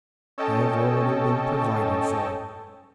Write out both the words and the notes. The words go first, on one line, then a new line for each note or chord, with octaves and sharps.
They have already been provided for.
C#4 A4 C#5 D#5 G5 A5